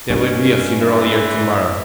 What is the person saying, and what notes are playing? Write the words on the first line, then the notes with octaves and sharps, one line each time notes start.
"There will be a funeral here to-morrow."
G2 B2 C#4
E3